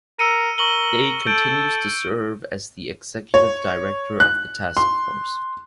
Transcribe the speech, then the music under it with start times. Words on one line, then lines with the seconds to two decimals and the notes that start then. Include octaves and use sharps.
Day continues to serve as the executive director of the task force.
0.19 A#4 E6 C#7 D#7
0.58 A#4 C#6 F#7 G7
1.27 A4 G6 D7
3.34 C#5
4.20 F#6
4.77 C6